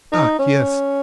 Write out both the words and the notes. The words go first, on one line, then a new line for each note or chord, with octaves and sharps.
Ah, yes!
D#4
C#4